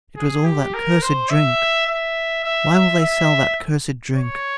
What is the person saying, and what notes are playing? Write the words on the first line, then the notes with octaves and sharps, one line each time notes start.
It was all that cursed drink; why will they sell that cursed drink?
G#4
G4
A#4
C5
E5
E5
E5
E5
E5
C#5